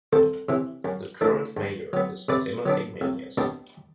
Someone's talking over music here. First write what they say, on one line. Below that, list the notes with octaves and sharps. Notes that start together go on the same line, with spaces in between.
The current mayor is Timothy Maniez.
C2 A4 C5
C3 E3
F#2
E3 A3 D4
G2
F#3 B3
C3 B4 D5
F#3 B3 D4
C2
B2 G3 B3 D4